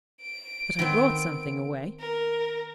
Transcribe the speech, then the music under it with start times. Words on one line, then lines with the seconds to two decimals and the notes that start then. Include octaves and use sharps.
But I brought something away.'
0.21 D7
0.79 D#3 B3 C4
2.00 A#4